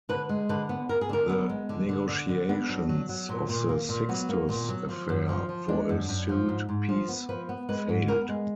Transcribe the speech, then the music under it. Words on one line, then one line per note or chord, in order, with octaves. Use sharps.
The negotiations of the Sixtus Affair for a sued peace failed.
D3 B4
G#3
D3 B4
B3
B3 A#4
G#4
D3 A#4
B3
G#3
D3
D3
D3
D3
B3 D4
F#3
F#3
F#3
A#2
A#2
A#3
A#2
F#3 B3
A#3
A#2
F#3
F3
F#2
F3
F3
G#3 D4
F#2
F#2
F3
G#2
G#2
F3
B3
F3 B4
B3
G#3 B4
G#2
B3 A#4
G#3